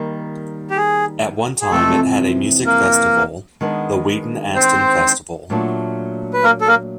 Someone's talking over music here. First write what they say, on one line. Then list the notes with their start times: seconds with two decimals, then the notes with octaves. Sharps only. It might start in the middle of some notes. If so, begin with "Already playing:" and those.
At one time it had a music festival, the Wheaton Aston Festival.
Already playing: D#3 G3 A#3
0.70 G4
0.77 G#4
1.61 G#4
1.72 F2 C3 E3 G#3 A3 C4 A4
2.66 A#3 A#4
3.61 D#3 G#3 B3 D4
4.56 C4 C5
5.50 A#2 F#3 A3 D4
6.33 B4
6.44 A#3 A#4
6.61 A4
6.68 A#3 A#4